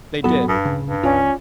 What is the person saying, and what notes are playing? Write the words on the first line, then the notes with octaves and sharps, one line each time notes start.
They did.
A1 F#2 F#3 B3 F#4 A4
G2
D1 C#3
G2
C#2 C#4 F4 D5